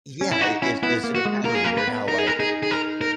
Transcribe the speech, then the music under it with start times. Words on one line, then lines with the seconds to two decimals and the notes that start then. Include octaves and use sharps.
Yeah, it is isn't it kinda weird how, like,
0.21 C#4
0.32 E4
0.41 D#4 F#4
0.62 C#4 E4
0.83 B3 E4
1.04 A#3
1.15 F#4
1.25 G#3
1.45 A#3 A#4
1.55 G#4
1.64 A#3 A#4
1.77 B4
1.88 B3
2.08 D#4 A#4
2.18 G#4
2.27 A#4
2.40 D#4 G#4
2.63 G#4
2.71 A#4
3.01 A#4